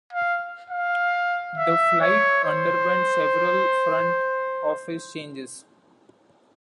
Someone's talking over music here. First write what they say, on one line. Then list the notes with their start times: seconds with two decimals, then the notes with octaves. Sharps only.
The Flight underwent several front office changes.
0.13 F5
0.70 F5
1.57 E5
2.01 C#5
2.44 C5